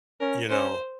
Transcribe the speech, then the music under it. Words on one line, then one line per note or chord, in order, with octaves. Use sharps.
You know,
C#4 A#4
C#4 C5